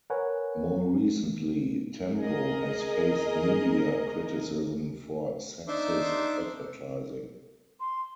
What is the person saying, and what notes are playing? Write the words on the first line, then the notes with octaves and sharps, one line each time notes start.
More recently, Tempo has faced media criticism for "sexist" advertising.
A#4 B4 C#5 F#5 G#5
G#4 A#4 D#5
D4 D#4 C5 E5 C6 D6
C6